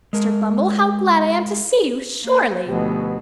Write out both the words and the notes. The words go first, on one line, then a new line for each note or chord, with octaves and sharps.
Mr. Bumble, how glad I am to see you, sure-ly!'
G#3 A#4
A#3
D2 B2 F3 G4